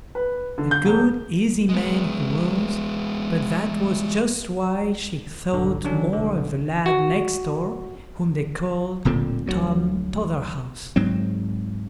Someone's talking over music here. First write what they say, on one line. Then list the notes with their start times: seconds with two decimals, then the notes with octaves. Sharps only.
A good, easy man he was, but that was just why she thought more of the lad next door, whom they called 'Tom Totherhouse'.
0.15 B4
0.58 D3
0.71 G6
0.84 E1
1.69 G#3 B3
5.53 A#1 G2 D3
5.84 D3 F#3 C#4 D4
6.13 B1 D3
6.86 F#4
9.05 D1 A#2 D3 C4
9.46 D2 F#3
10.96 G#2 F#3 C4